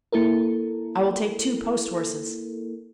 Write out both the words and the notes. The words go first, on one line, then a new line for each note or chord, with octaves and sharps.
"I will take two post-horses."
A#3 E4 A4 A#4